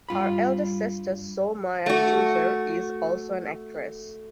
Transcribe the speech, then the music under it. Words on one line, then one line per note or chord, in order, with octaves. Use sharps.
Her elder sister Soe Myat Thuzar is also an actress.
G2 F4 B5
A3 F#4